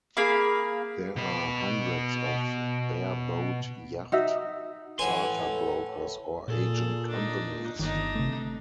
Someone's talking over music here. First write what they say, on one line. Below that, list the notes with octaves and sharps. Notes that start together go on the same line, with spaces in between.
There are hundreds of bareboat yacht charter brokers or agent companies.
A#3 G#4 F5 B5
B2 B4
D#4 F#4 E5
A2 A4 B4 F#5 G#5 C6
A#2 G#4 A4
D4 D#4
G1 D#3 D4 D#4
C3 A3